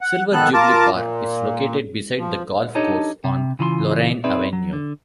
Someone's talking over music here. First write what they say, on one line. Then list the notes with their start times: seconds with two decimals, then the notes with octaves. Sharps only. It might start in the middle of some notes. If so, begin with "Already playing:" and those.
Silver Jubilee Park is located beside the golf course on Lorraine Avenue.
0.01 F#5
0.33 D#3 B3 A4 F#6
0.54 F4 A#4 A5 D6
0.93 A#2
2.19 F3
2.75 D4 D#4 G4 A4 C#5 D#5
3.24 C3
3.59 C#3 E3 F4 B5 C6
4.24 C4 D#4 G#4 B4 D5 E5
4.53 F#3
4.73 D3